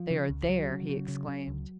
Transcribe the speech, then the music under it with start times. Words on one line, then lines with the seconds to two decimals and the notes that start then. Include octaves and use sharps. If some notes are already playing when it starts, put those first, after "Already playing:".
"They are there!" he exclaimed.
Already playing: F3
0.10 C#3
0.30 C#2
0.49 C#2 F#3
0.69 C#3
0.89 C#3
1.08 C#3
1.28 C#3
1.48 C#2